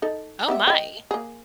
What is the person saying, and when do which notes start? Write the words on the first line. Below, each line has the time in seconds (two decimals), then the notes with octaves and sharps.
Oh my!
0.02 D#4 A4
0.48 B3 G4 E5
0.67 D#5 G5
1.11 A#3 G#4